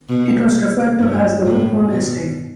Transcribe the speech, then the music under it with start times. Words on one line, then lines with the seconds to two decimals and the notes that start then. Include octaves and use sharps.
It was referred to as the Woodbourne Estate.
0.09 B2
1.00 G2
1.45 A2
1.91 B2